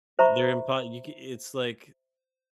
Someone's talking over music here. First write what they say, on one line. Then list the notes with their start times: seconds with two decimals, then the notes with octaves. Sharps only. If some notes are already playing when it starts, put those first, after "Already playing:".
uh, they're in part you ca it's, like
0.19 C5 E5 A#5 B5 C#6